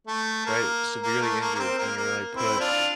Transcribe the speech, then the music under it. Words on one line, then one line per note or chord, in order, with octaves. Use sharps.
right, severely injured and you were, like, put
A3
A#3
A#3
A3
A#3
A#3
C4
A#3
A#3
C4 E4
D4 F4